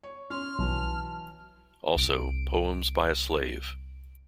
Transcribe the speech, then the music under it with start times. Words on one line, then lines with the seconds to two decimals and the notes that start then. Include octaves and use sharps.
Also, Poems by a Slave.
0.03 C#5
0.30 C#4 C#5 C6 F6
0.59 B1 E3 F#3 A5
1.96 C2 D7